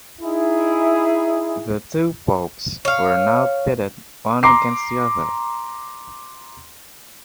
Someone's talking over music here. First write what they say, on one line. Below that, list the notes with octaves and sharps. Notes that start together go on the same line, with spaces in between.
The two Popes were now pitted one against the other.
D#4 E4 G#4
C#5 F5
A#5 C6 D6 C7